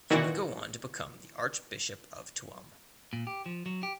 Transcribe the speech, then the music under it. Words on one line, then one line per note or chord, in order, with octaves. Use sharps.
He would go on to become the Archbishop of Tuam.
A#2 D#3 E3 F#4
A#2
G4
F3
F#3
G4